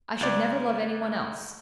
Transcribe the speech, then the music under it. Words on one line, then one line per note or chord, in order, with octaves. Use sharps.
"I should never love any one else."
C#2 D5